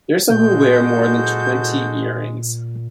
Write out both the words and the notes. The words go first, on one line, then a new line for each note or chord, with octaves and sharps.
There are some who wear more than twenty ear-rings.
F#1 A#2 G#3 F#4 A4 G6